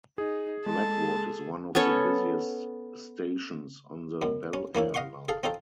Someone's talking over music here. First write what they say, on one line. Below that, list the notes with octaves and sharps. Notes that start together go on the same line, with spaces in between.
Blackwood is one of the busiest stations on the Belair line.
D#4 G#4
G#3 G#4 A4 A5
B3 C#4 A4 C#5
F#2 B2
C#4
E3 A#3 C#4 E4
D#5 F5 F#5 C6 C#6
G#4 A4 F5
C4 D#4 F4 A4 C5